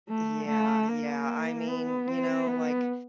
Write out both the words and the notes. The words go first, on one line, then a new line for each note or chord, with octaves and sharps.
Yeah, yeah. I mean, you know, like,
A3
A3
A#3
B3
C4
B3